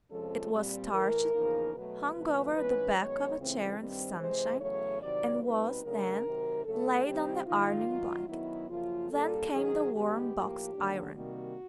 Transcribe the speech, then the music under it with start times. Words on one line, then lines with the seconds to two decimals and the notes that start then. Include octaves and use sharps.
It was starched, hung over the back of a chair in the sunshine, and was then laid on the ironing-blanket; then came the warm box-iron.
0.11 F2 C3 F3 G#3 C#4 A4
0.52 A#2 G3 C4
0.93 A2 E3 A3 A#4
1.33 E2 C#3 F3 A#3 D#4
1.74 B2 F#3 A3 B4
2.15 D2 C3 F3 A3
2.56 G#2 E3 G#3 C#4 B4
2.97 F#2 D#3 G#3 B3 C#5
3.38 C#2 C#3 E3 A3 C4
3.79 G2 D#3 G3 C4
4.19 C3 E3 G#3 C5
4.60 E2 C#3 F#3 A3 C#5
5.02 C2 C3 D#3 F#3 D5
5.42 B2 G3 C4 D#4 B4
5.83 C#3 F#3 A3 D4 A#4
6.24 C3 D#3 F#3
6.65 C#3 F#3 A3 A4
7.05 C3 D#3 G3 C4 D#4 G4
7.46 G#2 D#3 G3 A#3 D#4 F4
7.87 F#2 D#3 F#3
8.28 F#2 D#3 F#3 B3 E4
8.69 F#2 C#3 F3 A#3 F4
9.10 A#2 G3 A#3 D4 A4
9.51 G#2 D#3 F#3 G#4
9.92 G2 D#3 G#3 B3 G4
10.33 A2 F3 A#3
10.74 D#2 D3 F#3 A#3 D4
11.15 C3 D#3 G3 A#3 F#4